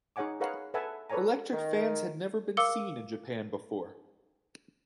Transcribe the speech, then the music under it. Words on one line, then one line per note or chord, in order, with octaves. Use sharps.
Electric fans had never been seen in Japan before.
D#4 G#4 C#5 F#5 G#5 D6
G#4 A#4 B4 C#5 F5 F#5
A4 B4 E5 F#5 G#5 A5
A4 B4 C#5 D5 G#5 A#5
D#3
A#4 F5 D6 E6 C#7 G7